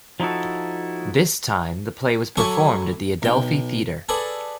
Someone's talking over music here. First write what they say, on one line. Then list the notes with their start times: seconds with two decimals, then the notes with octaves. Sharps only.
This time the play was performed at the Adelphi Theatre.
0.20 F3 D#4 E4 F#4 A4
2.37 F#3 A3 E4 G#5 C#6 D6
3.22 B1 G5
4.09 G#4 A4 B4 D5